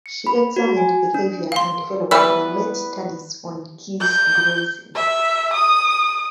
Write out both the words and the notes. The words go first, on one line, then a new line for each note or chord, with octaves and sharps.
She examined behaviour and development and made studies on geese grazing.
C#7
B5
F#4
G#5
D4
F5 C6
E3 G3 B3 B4 E5 E6
G6
E5
D#6